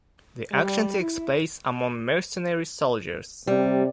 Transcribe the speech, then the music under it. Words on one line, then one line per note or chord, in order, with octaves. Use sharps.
The action takes place among mercenary soldiers.
G3
E4
C3 G3